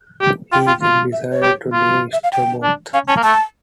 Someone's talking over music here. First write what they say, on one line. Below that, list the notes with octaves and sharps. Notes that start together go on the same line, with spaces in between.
He then decides to leave Stillborough.
G4
F4 G5
F4
F4
E5
C#5
G4
F4
E5
F5
G5
D4
C#4 F5
C#4 A5
A#3
A3 A5